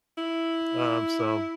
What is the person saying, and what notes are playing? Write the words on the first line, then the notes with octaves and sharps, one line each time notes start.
um, so
E4